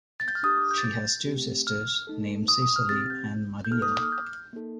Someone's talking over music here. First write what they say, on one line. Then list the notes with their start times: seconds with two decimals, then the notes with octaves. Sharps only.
She has two sisters, named Cisely and Mariel.
0.20 A6
0.28 G6
0.35 F6
0.43 D4 G4 D#6
0.58 D6
0.71 G6
0.78 A6
0.84 G6
1.26 A3 C4 G4
1.67 F6
2.07 A3 D#4 A4
2.48 D#6
2.62 D#6
2.76 F6
2.89 C4 G4 A6
3.10 G6
3.65 G6
3.71 A#3 D#4 A4 F6
3.82 D#6
3.92 D6
4.03 F6
4.12 G6
4.53 A#3 D#4 A4